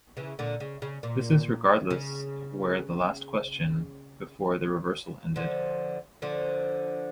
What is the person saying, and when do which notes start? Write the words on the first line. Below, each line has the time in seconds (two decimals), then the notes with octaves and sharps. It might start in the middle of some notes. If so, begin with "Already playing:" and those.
This is regardless of where the last question before the reversal ended.
0.17 C#3 E3
0.39 A#2 D3
0.60 C#3
0.82 C#3
1.03 A#2
1.90 C#3
5.36 D3 F3
6.22 D3 F3